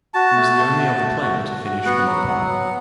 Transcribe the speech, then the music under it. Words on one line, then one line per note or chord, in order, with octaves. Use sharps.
He was the only other player to finish under par.
F#4 A5
A3
A3
F#4
A3
F#4
F#4
F#4
B3 F#5
F#3
F#3
B3